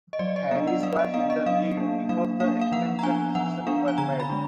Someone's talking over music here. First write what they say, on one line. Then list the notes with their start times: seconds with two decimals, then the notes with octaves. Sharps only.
Harris was in the lead before the extension decision was made.
0.13 D#5
0.19 F#3 D5
0.36 D#5
0.51 B3 D4 F5
0.67 F#5
0.83 F#3 F5
0.99 D#5
1.14 B3 D4 F5
1.30 D#5
1.46 F#3 F5
1.77 A#3 D4
2.09 F#3 F5
2.40 A#3 D4 F5
2.61 F5
2.72 F3 F#5
2.99 A#5
3.03 B3 D4 G#5
3.35 F3 F#5
3.67 B3 D4 F5
3.88 G#5
3.98 D3 A#5
4.20 B5
4.30 G#3 D4